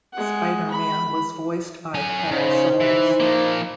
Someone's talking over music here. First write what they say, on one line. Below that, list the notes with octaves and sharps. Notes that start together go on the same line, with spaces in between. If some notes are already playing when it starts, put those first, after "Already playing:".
Spider-Man was voiced by Paul Soles.
G#3 F#5
B5
F#3 G#5
C#3 D#4 C5
E3
F3 A#3